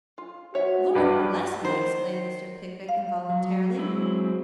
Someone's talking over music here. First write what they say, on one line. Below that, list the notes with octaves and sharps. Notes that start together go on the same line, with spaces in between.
'Lord bless me!' exclaimed Mr. Pickwick involuntarily.
F4
B3 F#4 C#5 E5
G2 D4 B4
D#3 C5
F5
F#3
F#3 G#3 C4 E4